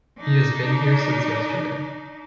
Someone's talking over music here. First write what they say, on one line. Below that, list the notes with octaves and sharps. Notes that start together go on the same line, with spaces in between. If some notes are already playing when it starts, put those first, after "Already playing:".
He has been here since yesterday.
D4 D#4